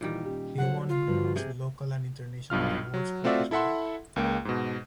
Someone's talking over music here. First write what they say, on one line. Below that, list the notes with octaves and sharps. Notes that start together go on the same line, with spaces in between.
He won numerous local and international awards for his work.
A#2 D#3 E3 G3
C#4 G4
D3 F#3 C5 F#5
F4
G2 F3 F#4
C3 G#4
B1 G2 F4 F6
F#3
A3 C4 F4 F#4 D5 E5
E4 A4 E5 F#5 C6
C#2 A#3 G5
G#2 B2